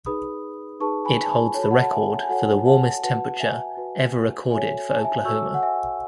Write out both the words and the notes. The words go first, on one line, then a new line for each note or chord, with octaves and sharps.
It holds the record for the warmest temperature ever recorded for Oklahoma.
D#4 G#4 B4 B5 D#6
D#4 G#4 B4 A5 C#6
G#5 B5
A5
G#5 B5
F#4 A4 C#5 A5
B5
F#5 A5
A5
E5 G#5
G#5
F#4 A4 C#5 F#5
F#5 A5
F#4 B4 F#5 A5
E5 G#5
F#4 B4
F#4 A4 C#5 E5 G#5
G#5
A5
E5 G#5
F#4 A4 C#5 C#6 E6
F#5
E5 G#5